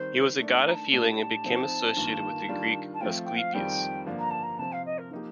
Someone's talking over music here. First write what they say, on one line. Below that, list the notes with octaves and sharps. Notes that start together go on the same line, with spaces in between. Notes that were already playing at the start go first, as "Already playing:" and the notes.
He was a god of healing, and became associated with the Greek Asclepius.
Already playing: D#3 G3 C4 C5
D#3 A3 D4 D5
A#5
A5
A2 A3 D4 G4 A5
F3 C4 D#4
G2 D#3 A#3 F4
D#3 G3 D4 F4
A5
F3 A3 C4 F4 G5
G5
F5
F2 D#3 G3 C4 F4 G5
G2 D3 F3 A#3 D4
A#5
A5
A#5
C3 F3 C4 A5
F5
D#5
A#4
F3 A#3 D#4 G4